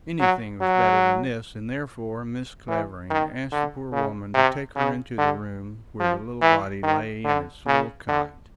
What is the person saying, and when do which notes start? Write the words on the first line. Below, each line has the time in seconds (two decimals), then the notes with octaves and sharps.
Anything was better than this, and therefore Mrs. Clavering asked the poor woman to take her into the room where the little body lay in its little cot.
0.20 F#3
0.61 F#3
2.68 E3
3.10 D#3
3.52 D3
3.92 C#3
4.34 C3
4.76 C#3
5.18 D3
6.00 F3
6.42 E3
6.83 D#3
7.25 D3
7.66 C#3
8.08 D3